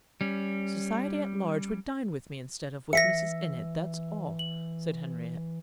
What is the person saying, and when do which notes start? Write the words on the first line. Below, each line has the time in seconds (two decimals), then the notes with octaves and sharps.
"Society at large would dine with me instead of with Mrs. Innitt, that's all," said Henriette.
0.21 G3 C#4
2.93 E3 E5 A#6 B6 C#7
4.39 F#7